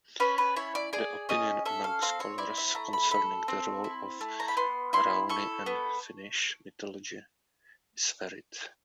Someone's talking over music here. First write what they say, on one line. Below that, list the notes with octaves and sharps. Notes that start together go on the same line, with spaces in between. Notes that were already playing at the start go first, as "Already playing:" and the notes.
The opinion among scholars concerning the role of Rauni in Finnish mythology is varied.
C#4 B4
B4
E4 C#5
D5
G#4 D5
C#4 D#5
A4 E5
F5
C4 F5
C#5
E4 D5
E5
A3 A#5
B5
A4 B5
C4
E4
A3
A#5
B5
B3 C6
E4 C6
A4 C#6
B3